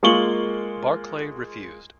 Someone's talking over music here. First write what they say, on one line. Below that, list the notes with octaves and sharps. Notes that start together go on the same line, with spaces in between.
Barclay refused.
G#3 A#3 F4 C#6 F#7 G7